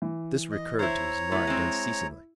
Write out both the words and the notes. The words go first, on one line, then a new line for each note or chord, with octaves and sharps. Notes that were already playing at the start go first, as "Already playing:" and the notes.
This recurred to his mind unceasingly.
E3
D#5
E4 C5 C#5 A#5
A3 B3 E4
G#3 C4